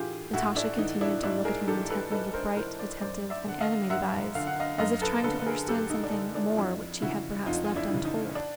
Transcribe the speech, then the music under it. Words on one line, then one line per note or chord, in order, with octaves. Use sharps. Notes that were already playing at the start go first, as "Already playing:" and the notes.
Natasha continued to look at him intently with bright, attentive, and animated eyes, as if trying to understand something more which he had perhaps left untold.
Already playing: A2 E3 F4 G4 G#4
A2 E4 F#4
D4 E4
E3 D#4
D4 E4
G#2 D4 E4
G#4 A#4
E3 G4 A4
A4 B4
G#2 A4 B4
A#4 C5
E3 A#4 C5
C5 D5
F#2 C5 D5
D5 E5
D3 F#5
D#5 F5
F#2 E5 F#5
D3 F5
F#5
D#5 F5
F#2 D#5 F5
A4 B4
D3 A4 B4
B4
G#4 A#4
F#2 G4 A4
D#4
D4
D3 D#4
D4 E4
F4
F2 D4 E4
C#3 E3 E4 F#4
F2 D#4 F4
F4
D4 E4
C#3 E3
D#4
D4